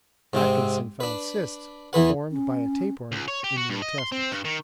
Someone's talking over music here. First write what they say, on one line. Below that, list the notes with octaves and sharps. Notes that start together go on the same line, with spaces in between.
Atkinson found cysts formed by a tapeworm in the intestines.
G#2 C3 C4
D4 B4
E2 E3 B4 F#5
C#4
C#2
C#5
G4
F#4
G2
D#5
C6
C4
G2
D#3